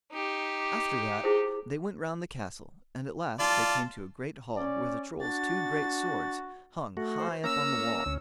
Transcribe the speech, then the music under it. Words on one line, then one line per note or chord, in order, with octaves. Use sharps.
After that they went round the castle, and at last they came to a great hall, where the Trolls' two great swords hung high up on the wall.
D#4 G4
E4 G#4 C5
F4 D5 A5
C#4 D5
D4 F#4 A6
A3 F#4
C5
A#3 C#4 A#5 E6
D2 C#4